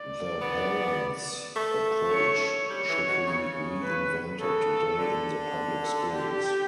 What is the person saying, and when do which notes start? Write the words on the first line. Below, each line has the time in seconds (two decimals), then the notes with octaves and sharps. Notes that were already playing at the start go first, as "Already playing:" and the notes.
The Harand's approach should be reinvented today in the public schools.
Already playing: D5
0.41 B3
1.56 A3
2.12 C#5
2.70 G3 C#5
2.89 E3
3.07 B2
3.27 C#3
3.84 B4
4.41 C#3 A4
4.99 D3
5.84 A4
6.13 G4